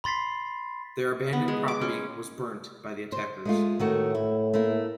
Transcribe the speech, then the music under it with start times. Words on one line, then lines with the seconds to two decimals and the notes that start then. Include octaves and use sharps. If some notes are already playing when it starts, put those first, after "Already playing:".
Their abandoned property was burnt by the attackers.
0.04 B5 C6 A6 B6 C7
1.33 B3
1.48 G#3
1.68 D6
1.81 C#4
3.12 C5
3.45 G#3 A3 F4
3.79 A2 D#3 A3 F#4
4.15 E4
4.53 A3 A#3 E4